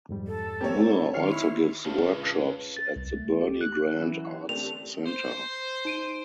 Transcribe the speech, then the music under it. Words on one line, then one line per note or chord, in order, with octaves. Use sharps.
Moore also gives workshops at the Bernie Grant Arts Centre.
F2 G#2 G3
A4
C4 G4 A#4 C#5 A#5
D#3 F#4 C6 C#6 F6
D#4 E4
C#2 B4 F5 A5
A6
C2
A3
G4
F#6
E3 F#3 C#4 E4
A3 C4 D4 G4 F7
C5
D#4 D7 D#7